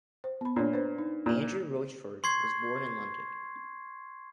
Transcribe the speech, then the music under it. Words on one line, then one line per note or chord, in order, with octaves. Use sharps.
Andrew Roachford was born in London.
C5
B3 B5
A#2 D4 C#5
B4 C5
D#4
A#2
C6 C#6 G#6 C7